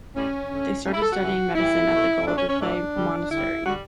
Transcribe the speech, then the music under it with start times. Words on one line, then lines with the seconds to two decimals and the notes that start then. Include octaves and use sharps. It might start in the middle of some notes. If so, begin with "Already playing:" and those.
They started studying Medicine at the Guadalupe monastery.
0.15 A2 G3 C#4
0.50 D3 A3
0.85 A2 F#3 A3 C#4
0.93 E4
1.02 A4
1.12 F#4
1.20 C#3 E3 A3
1.55 A2 E3 G3 E4
1.91 B2 A3
2.25 B2 F#3 A3 D4
2.37 C#4
2.49 C#4
2.60 A2 E3 A3 D4
2.96 D3 G3
3.31 D3 G3 E4
3.66 D3 G3 F#4